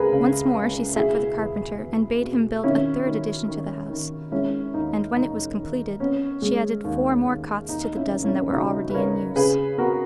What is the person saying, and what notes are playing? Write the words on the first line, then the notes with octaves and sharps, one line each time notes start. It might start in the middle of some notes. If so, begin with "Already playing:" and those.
Once more she sent for the carpenter, and bade him build a third addition to the house; and when it was completed she added four more cots to the dozen that were already in use.
Already playing: C#2 C#3 G#4 A#4 B4
C#3
C#2
B2 E4 G#4
E2
E2
B2
D#3 C#4 E4
D#3
D#3
D#3
G#3 C#4 E4
D#2 D#4
E1 D#4
D#3
B3 C#4
G#3
D#2
D#2
D#2 D#4
C#4 E4
E1
C#4 E4
C#3 D#4 F#4
B4
C#3 A#4 C#5
C#3 G#4 B4
B3 F#4 A#4